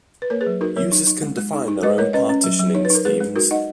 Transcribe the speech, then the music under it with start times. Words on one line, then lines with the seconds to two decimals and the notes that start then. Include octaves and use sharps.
Users can define their own partitioning schemes.
0.22 B4
0.30 A#3 A#4 C#5
0.41 G#4 B4
0.46 F#3
0.61 D#4 F#4 A#4
0.76 F#3 A#4 C#5
0.92 D#4
1.07 D#4
1.22 G#3
1.37 G#3
1.53 D#4
1.68 D#4
1.83 G#3 B4 D#5
1.98 G#3 A#4 C#5
2.13 C#4 B4 D#5
2.29 C#4
2.44 F#3
2.59 F#3
2.75 D#4 C#5
2.85 B4
2.90 D#4
2.95 A#4
3.05 G#3 G#4 B4
3.20 G#3
3.36 D#4 F#4 A#4
3.51 D#4 D#5 F#5